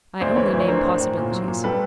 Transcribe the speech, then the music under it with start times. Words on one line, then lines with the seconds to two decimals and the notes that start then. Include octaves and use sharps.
I only name possibilities.
0.21 D2 C5 D5
0.36 E3 B4 C#5
0.52 D2
0.60 C#5
0.68 D4 A#4 C5
0.84 A2
1.00 A2
1.17 A#2
1.32 F#3
1.48 A#2
1.64 G3 A4 B4